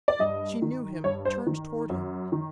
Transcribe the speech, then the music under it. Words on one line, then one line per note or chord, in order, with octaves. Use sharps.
She knew him, turned toward him.
D5
G2 D#5
D#3
G2 C#5
C5
D#3
F#2
D#3